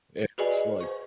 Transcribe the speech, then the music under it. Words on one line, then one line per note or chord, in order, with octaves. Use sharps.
It's like,
F#4 G#4 B4 D5 D#5 G#5
C5 C#6